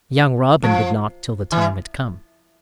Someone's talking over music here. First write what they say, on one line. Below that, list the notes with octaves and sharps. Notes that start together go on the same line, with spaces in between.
Young Robin did not till the time had come.
F3
E3